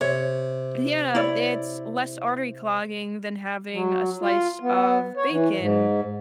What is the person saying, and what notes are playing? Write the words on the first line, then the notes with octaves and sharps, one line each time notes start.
Yeah, it's less artery clogging than having a slice of bacon
C3 C#5
E4 C#5 D5
F#3
F4
B3
C#5
E3
G#2